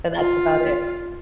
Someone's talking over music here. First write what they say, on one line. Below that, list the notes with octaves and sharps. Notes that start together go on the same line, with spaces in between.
and that's about it.
F4